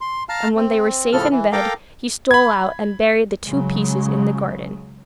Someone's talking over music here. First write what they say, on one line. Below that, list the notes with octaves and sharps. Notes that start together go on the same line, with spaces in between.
And when they were safe in bed he stole out and buried the two pieces in the garden.
C6
F5 A5 A#5 F6
C4
A2 C#3 F3 A4 F6
E3
A4 A#4 F5 G5 A#5 D6
B5 G#6
C#3 F#3 G#3